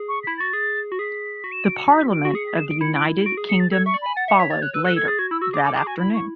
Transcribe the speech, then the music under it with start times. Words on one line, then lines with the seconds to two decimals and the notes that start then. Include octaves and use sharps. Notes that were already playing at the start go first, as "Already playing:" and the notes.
The Parliament of the United Kingdom followed later that afternoon.
Already playing: G#4
0.09 C#6
0.23 E4 B6
0.38 F#4 A6
0.53 G#4
0.92 F#4
0.99 G#4 B6
1.44 F#4
1.52 E7
1.65 D7
1.77 C#7
1.90 B6
2.13 D7
2.25 F#4
2.35 G#4 C#7
2.47 B6
2.57 E7
2.70 D7
2.81 E4 C#7
2.95 D7
3.25 F#4 D7
3.37 G#4
3.49 G#4 C#7
3.60 A6
3.72 A4 G#6
3.86 E5 C#6
3.94 D5
4.02 G#5 B5
4.16 F#5 A6
4.28 E5 C#7
4.39 C#5 B6
4.50 C#5 A6
4.62 C#5 F#6
4.74 B4 E6
4.85 A4 F#6
4.96 A4 G#6
5.08 G#4 A6
5.19 F#4 G#6
5.31 E4 E6
5.41 F#4 E6
5.53 G#4 D6
5.65 A4 D6
5.76 G#4 D6
5.87 F#4 G#5
5.99 E4 B5
6.14 C#6